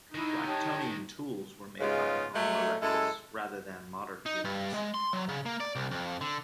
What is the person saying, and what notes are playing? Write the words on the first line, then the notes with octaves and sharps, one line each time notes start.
Clactonian tools were made by "Homo erectus" rather than modern humans.
D#3 G#3 D#4 E4
G4 C#5 A5
G#2 C#3 G#3 B3 F4
F#3 G#3 A3
F#2 G#3 E4 A4
D#4
G2
G#3
C6
F#3
C#3
A#3
D5
C2
F2
D3